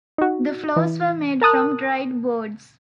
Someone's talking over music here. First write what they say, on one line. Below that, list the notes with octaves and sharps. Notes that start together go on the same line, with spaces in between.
The floors were made from dried boards.
D#4 F#4
E3
A#4 A5 D#6 F#6